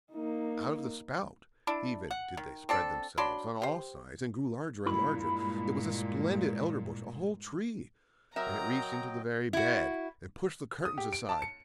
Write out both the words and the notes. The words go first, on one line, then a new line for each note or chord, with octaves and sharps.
Out of the spout even did they spread themselves on all sides, and grew larger and larger; it was a splendid Elderbush, a whole tree; and it reached into the very bed, and pushed the curtains aside.
A#3 D#4
D4 E4
F#5
D#3
C4 D4 A4
F#3 D4 B5 C6
G4 C5
G2 A#2 G#3 E4 B5
F#3 A#4 D#5 E5 G5 A#5
E4 F#4
D#6
G4
D7
A5
C#7